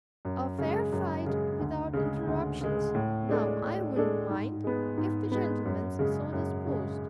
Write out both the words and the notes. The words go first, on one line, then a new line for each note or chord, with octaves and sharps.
"A fair fight without interruptions, now, I WOULDN'T mind, if the gentleman's so disposed."
F#2
C#3 G#3
F#2
C#3 G#3
D2
C#3 G#3
D2
C#3 G#3
A2
G#3 D4 A4
A2
G#3 D4 A4
G#2
G#3 B3
G#2
G#3 B3
F#2
C#3 G#3
F#2
C#3 G#3